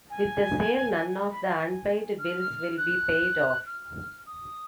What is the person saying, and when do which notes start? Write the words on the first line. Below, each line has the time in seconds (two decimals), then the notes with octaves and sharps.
With the sale, none of the unpaid bills will be paid off.
0.10 G#5
1.30 B5
1.45 F5
1.59 G#5
2.18 F6
2.77 F#6
3.66 F6
4.26 D#6